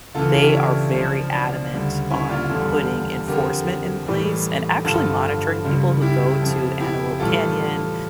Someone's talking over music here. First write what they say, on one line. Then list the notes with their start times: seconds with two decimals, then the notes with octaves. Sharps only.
They are very adamant on putting enforcement in place and actually monitoring people who go to Antelope Canyon,
0.15 C#2 C#3 E3 F4 A4
0.34 E4 G4
0.44 C#4 E4
0.54 D4
0.93 C#2 C#3 F3
1.32 D4
1.71 D2 C#3 G3
2.10 C#4 E4
2.30 D4 F4
2.50 E2 D3 G3 F4 A4
3.28 F2 D3 F3 G4 A#4
4.06 A2 E3 G3
4.85 G2 D3 F3 F4 A4
5.63 C#2 C#3 G3
6.02 E4 G4
6.41 F2 C#3 F3
6.80 E4 G4
7.20 A2 E3 G3 F4 A4